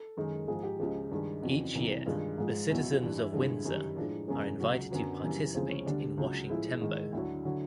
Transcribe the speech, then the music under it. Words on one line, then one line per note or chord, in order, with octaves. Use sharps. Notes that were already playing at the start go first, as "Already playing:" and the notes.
Each year, the citizens of Windsor are invited to participate in washing "Tembo".
Already playing: A4
F#2 D#3 G#3
G#2 F3 G#3 G#4
G4
C#2 C#3 F3 G#3
G2 D#3 G#3
F2 C#3 E3 F#4
C2 C3 E3
G2 D#3 G#3 F4
G#2 F3 G#3
E2 B2 F#3 E4
E4
F4
G2 E3 G3
E4
G2 D3 F3 G#3
F#2 D#3 G3
A2 F3 G#3 D4
F#2 C#3 E3 G#3 C#4
C#2 C#3 F#3
F#2 D3 F#3 B3
F#2 C#3 E3 G3
D2 C#3 F3 G#3 C4
C#4
D2 D3 G3 D4
C#2 C#3 F#3
A2 F3 G#3 E4
G#2 D#3 G#3
D2 D3 F#3 E4
D3 F#3